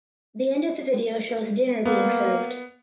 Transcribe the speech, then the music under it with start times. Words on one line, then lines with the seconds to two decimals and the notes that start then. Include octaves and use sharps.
The end of the video shows dinner being served.
1.85 A#3 B3